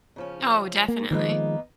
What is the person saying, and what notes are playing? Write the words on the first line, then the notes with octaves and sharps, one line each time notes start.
Oh, definitely.
C#3 F3 C#4
A#3
D#3 F3 G#3 A#3 B3 D#4